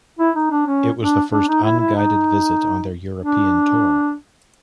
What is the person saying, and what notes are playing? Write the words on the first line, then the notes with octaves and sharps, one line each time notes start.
It was the first unguided visit on their European tour.
E4
D#4
D4
C#4
D4
D4
D#4
E4
E4
D#4
D4